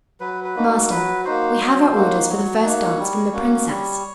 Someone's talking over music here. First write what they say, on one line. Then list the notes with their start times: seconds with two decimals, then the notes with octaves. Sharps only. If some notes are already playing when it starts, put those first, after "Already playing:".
"Master, we have our orders for the first dance from the princess."
0.20 F#3 B4
0.44 B4
0.55 A#3 D#4 F#4
0.90 F#3 B4
1.25 A#3 D#4 F#4 C5
1.60 F#3
1.94 A#3 D#4 F#4
2.29 F#3 C#5
2.64 A#3 D#4 F#4
2.99 G3
3.33 A#3 C#4 F#4
3.68 G3 C#5